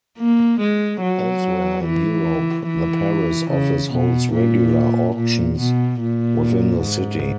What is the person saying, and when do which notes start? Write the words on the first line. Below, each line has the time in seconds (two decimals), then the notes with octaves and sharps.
Elsewhere in Europe, the Paris office holds regular auctions within the city.
0.19 A#3
0.60 G#3
1.02 F#3
1.85 E3
2.68 E3
3.51 C#3
3.92 B2
4.34 A#2
5.16 A#2
5.59 B2
6.01 A#2
6.83 G#2